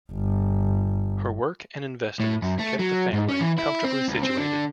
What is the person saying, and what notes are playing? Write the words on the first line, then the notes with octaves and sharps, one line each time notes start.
Her work and investments kept the family comfortably situated.
G1
A2
F#2
A3
F#3
G#2
C#4
E3
E4
C4
C#2
C4
D3